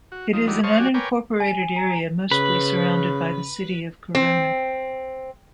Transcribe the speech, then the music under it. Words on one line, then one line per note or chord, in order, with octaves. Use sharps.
It is an unincorporated area mostly surrounded by the city of Corona.
F#4
F3 D#4
E3 F#3 G3 D4 D#4
C5 C#5 D#5 F5 A5 C#6
F#3 F#4 G4 D5 G#5
A#4 B4 C#5 G5 G#5 D6
G#5
A#5
C#3 B4
C4